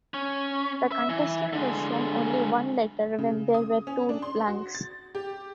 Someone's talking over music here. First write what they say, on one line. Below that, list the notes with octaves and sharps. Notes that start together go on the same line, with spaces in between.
The contestant was shown only one letter when there were two blanks.
C#4
E5
E3
D3 G#3
C#3
D#6
C#4
D4
C6
F#4
A6
G4